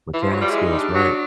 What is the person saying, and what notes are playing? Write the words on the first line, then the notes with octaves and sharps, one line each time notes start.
Mechanic skills, right?
E3
F3
F#3
G3 F4
G#3 E4
D#4
G3
D4
F#3